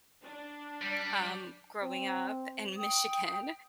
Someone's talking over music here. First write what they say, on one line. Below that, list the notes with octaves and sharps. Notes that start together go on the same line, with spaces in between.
um, growing up in Michigan
D4
G3
C4
G5 D#6